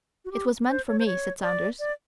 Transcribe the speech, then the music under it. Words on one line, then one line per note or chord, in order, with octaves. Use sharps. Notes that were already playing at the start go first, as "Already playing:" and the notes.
"It was meant for me," said Saunders.
F#4
G4
C5
C#5
C5
C#5
D5
D5